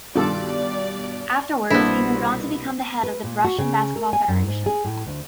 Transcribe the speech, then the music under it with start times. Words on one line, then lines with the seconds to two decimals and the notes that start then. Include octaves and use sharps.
Afterwards, he moved on to become the head of the Russian Basketball Federation.
0.16 G2 B2 D#3 F4 A4 D5
1.70 C2 B2 A#3 B3 D4 E4 A4 C5
3.03 B4
3.24 A#2
3.44 F#4
3.59 C#3
3.96 A#4
4.13 G#5
4.28 F#2
4.47 G#2
4.66 G#4
4.85 A2
5.07 D2